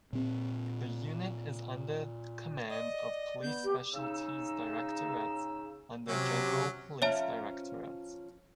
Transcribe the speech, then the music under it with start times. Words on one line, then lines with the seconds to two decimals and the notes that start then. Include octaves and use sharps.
The unit is under command of Police Specialities Directorate, under General Police Directorate.
0.13 A#2 C4
2.69 D5 D#5
3.42 B3 G6
3.64 G4
3.93 C#3 D#4 E6
6.08 C3 F#3 C#4
7.02 F3 C#4 C#5 E5 A5 A#5